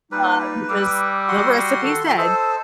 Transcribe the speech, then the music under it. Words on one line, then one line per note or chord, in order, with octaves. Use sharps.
uh, because the recipe said
G3 A#3 D#4 F4 B4
G3 D6 E6
F#4 F#5 C6
D#3 A4 C#6
F4
A4 C5 D#5 E6